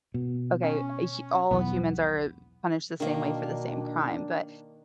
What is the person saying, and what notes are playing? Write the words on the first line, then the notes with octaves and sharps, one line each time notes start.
"Okay, eh, h all humans are punished the same way for the same crime," but,
B2
C#4
B1 E2 B3
B2 D#3 A#3 D4